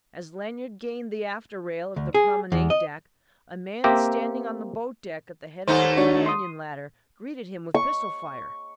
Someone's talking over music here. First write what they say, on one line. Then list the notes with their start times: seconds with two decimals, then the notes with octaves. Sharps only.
As Lanyard gained the after rail of the promenade deck a man standing on the boat-deck at the head of the companion-ladder greeted him with pistol fire.
1.96 D2
2.15 G#4
2.52 E2
2.70 D#5
3.84 A#3 C4 G4 E5 A#5
5.68 D#2 A3 D#4 C5
5.97 D4 F#4 C#5
6.26 C6 D#6
7.74 C#6